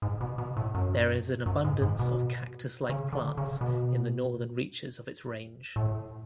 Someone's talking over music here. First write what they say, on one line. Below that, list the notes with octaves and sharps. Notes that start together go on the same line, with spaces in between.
There is an abundance of cactus-like plants in the northern reaches of its range.
G#2
B2
B2
A2
F#2
F#2
G#2
G#2
B2
C#3
D3
C#3
B2
A2